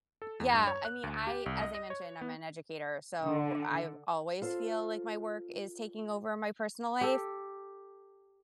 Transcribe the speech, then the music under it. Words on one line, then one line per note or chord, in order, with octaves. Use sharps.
Yeah, I mean, I As I mentioned, I'm an educator, so, I've always feel like my work is taking over my personal life,
A4
E2
G2
C#5
F#6
D2
G4
C2
D#5
D#5
C#5
B3
D3
F4 A4 C5
G4 A4